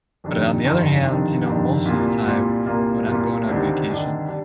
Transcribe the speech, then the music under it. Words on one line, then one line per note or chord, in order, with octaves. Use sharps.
But on the other hand, you know, most of the time when I'm going on vacation, like,
G1 F2 D#3 G3 D4
G1 F2 D#3 G3 D4
G1 F2 D#3 G3 D4
G1 F2 D#3 G3 D4
C2 A#2 G3 A#3 F4
C2 A#2 G3 A#3 F4
C2 A#2 G3 A#3 F4
C2 A#2 G3 A#3 F4
D2 C3 D#3 G3 D4
D2 C3 D#3 G3 D4
G3 D4